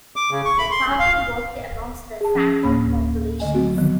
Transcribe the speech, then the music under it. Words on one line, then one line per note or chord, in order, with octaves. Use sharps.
The party worked amongst the Santhal populations.
D6
C#3
C#6
B5
C6
C#4
F5
G#4 A5
F3 C#4
D2 A2 A#3 B5
D3 A3 D#5 G#5
F#3 A3 C4 F#4
D3 D#3 F3 F#3 B3